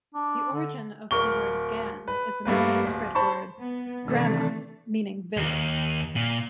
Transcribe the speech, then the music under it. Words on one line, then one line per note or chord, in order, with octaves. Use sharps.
The origin of the word "Gan" is in the Sanskrit word "Grama", meaning "village".
D4
D3
D1 A#4 C#6 G7
B4
G2 A3 A#3 B4
D1
C5 A5 B5 C#6
B3
C3 D#3 E3 A3 D4
D#2
A#2